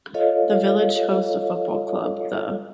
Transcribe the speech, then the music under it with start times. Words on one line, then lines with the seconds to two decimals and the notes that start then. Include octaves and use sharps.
The village hosts a football club, the.
0.14 F4 A4 C#5 D#5 F5